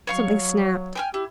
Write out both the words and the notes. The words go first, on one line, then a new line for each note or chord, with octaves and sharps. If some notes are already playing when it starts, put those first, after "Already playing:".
Something snapped.
F#3 C#5 F5 C#6
G5 G#5 F6
E4 G4